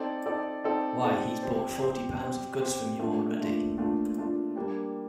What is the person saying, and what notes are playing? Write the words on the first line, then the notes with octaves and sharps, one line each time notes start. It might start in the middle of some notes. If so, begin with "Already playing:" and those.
Why, he's bought forty pounds of goods from you already.
Already playing: C4 D#4 A4 D5
C4 D#4 A4 D5
C4 D#4 A4 D5
C4 D#4 A4 D5
C4 G4 C5
C4 G4 C5
C4 G4 C5
C4 G4 C5
A#2 A3 D4 F4
A#2 A3 D4 F4
A#2 A3 D4 F4
A#2 A3 D4 F4
G3 A#3 D4 G4